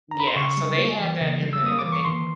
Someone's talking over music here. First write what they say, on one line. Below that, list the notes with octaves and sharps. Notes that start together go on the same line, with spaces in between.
Yeah, so they have that in the in the paperwork.
A#5
B5
C6
C#3 C#6
G3
A#3
E3
C#3
G3
E6
A#3 D#6
D6
E3
C#6
D#3 C6